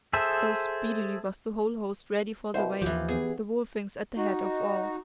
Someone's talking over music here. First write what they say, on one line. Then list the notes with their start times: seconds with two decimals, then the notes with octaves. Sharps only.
So speedily was the whole host ready for the way, the Wolfings at the head of all.
0.13 G#4 A4 C5 E5
2.54 C2 B2 C5
2.82 D#2 E3 F3 G4
3.08 B3 G#4
4.17 D#4 F#4